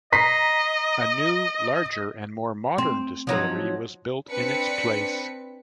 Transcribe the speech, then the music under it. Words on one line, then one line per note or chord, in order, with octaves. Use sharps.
A new, larger and more modern distillery was built in its place.
D#5 A#5 B6 C7
C4
F3 F#3 D#4
C4 D4 B4 B6 C#7